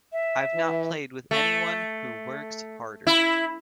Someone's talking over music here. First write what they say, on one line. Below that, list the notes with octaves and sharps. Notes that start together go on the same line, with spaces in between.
I've not played with anyone who works harder.
E5
E3
A3
E4